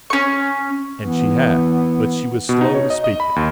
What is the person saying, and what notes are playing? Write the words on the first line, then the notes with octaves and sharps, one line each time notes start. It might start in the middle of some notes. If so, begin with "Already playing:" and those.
And she had. But she was slow to speak it.
C#4 C#6
E3 B3
B2
D#4
C#5
D#5
D#5
B5
D#2